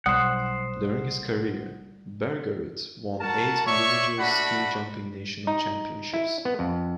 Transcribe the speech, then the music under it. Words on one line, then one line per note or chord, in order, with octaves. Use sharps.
During his career, Bergerud won eight individual ski jumping national championships.
B1 G3 C5 F#5 D#6 F#6
F#4 A#4 A5
C#5 D5 E5 C#6
A3 D4 F#4 F#5 B5
D#4
E4
B3
F2